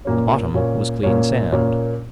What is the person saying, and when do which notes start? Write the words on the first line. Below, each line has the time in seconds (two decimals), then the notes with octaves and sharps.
The bottom was clean sand.
0.05 A#2 A#3 C#4
0.54 A#2 A#3 C#4
1.03 A#2 A#3 C#4
1.52 A#2 A#3 C#4